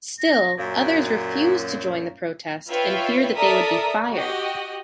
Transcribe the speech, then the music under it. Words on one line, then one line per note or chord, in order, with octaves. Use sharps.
Still, others refused to join the protest in fear that they would be fired.
A#6
F#2 A#2 F5
F4 B4 C#5 E5 F5 G5
A4 A#4 D5 E5 D#6
F#4 G4 D#5